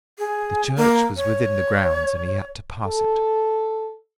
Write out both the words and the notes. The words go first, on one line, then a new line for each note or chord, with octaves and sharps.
The church was within the grounds, and he had to pass it.
G#4
A#3
C#5
A4